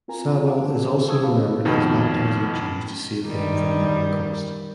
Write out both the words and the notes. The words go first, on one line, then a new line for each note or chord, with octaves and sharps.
Sabol is also remembered as baptizing Jews to save them from the Holocaust.
C4 F4 A#4 G#5 A#5
D5 F5 F#5 A5 D6
G#4
A5 C#6 D#6 E6 G#6
A#2 C#3 F5 B5
G#2 C3 G#4 D#5
F2 B2 D#3
D#3 G3